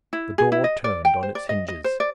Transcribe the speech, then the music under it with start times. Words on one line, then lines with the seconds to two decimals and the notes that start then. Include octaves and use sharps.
The door turned on its hinges.
0.13 E4
0.38 G#4
0.52 E4
0.64 D#5
0.84 D5
1.05 G5
1.23 C5
1.35 D5
1.49 D#5
1.68 D#5
1.84 C5
2.00 D5